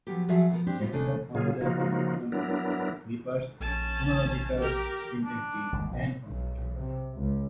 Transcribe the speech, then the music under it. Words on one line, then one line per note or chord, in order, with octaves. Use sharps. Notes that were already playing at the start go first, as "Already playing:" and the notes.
Jackendoff considers the lexicon to be made of three parts: phonological, syntactic, and conceptual.
F3 F#3 B3 G4
F3 F#3 F#4 G#4 E5
B2 F3 B3 A#4
C4 D4 G4
A2 F#3 G3 B3 F4
D#2 C#3 A3 D4 G#5
A#2 C#3 F#3 A#3 F4 G#4
C#3 F3 A#3 D#4 F4 F#4
F#3 B3 D4 E4 A#4
A#1 C#4 A5
G4 A#4
D4
G1 D#2 G#3
A#1 B2
B1
C3
C#2